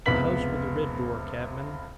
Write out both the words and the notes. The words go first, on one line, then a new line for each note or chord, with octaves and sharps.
'The house with the red door, cabmin.
F1 C#2 B3 B4 B6 F#7